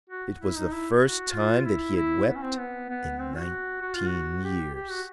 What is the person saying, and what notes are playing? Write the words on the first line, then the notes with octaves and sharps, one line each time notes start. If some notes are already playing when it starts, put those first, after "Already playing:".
It was the first time that he had wept in nineteen years.
F#4
E4
D#4
E4
F#4
F4
E4
E4
B3
C#4
C4
B3
B3
C4
F#4
F#4
F4
F#4
G4
G4
F#4